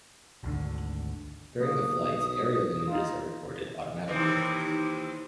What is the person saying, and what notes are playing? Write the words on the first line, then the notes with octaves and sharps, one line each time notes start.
During the flight aerial images are recorded automatically.
G#1 D2 D3
B1 A#3 D#6
D#4 F4
D#2 C3 E3